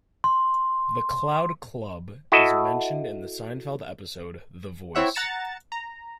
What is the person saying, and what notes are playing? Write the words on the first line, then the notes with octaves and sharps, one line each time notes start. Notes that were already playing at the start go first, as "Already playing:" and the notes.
The Cloud Club is mentioned in the Seinfeld episode The Voice.
C6
E4 F#4 A4 D#5
C4 E4 C#5 E5 F#5
F#5 A#5 A6 C#7 E7
A#5